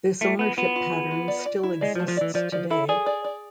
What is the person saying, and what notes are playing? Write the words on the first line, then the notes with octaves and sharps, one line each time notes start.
This ownership pattern still exists today.
A3 F4
B3 G#4
B3 F4
F4
G#4
F4
D5
D5
E4
G#3 D5
F3
A3
F3
E3 D5
F3 D5
F3 D5
E4 A4
G#4 D5
D5
D5